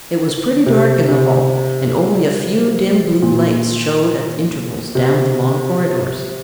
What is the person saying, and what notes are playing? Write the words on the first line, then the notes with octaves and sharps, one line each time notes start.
It was pretty dark in the hall and only a few dim blue lights showed at intervals down the long corridors.
C3
C3
A#2
C3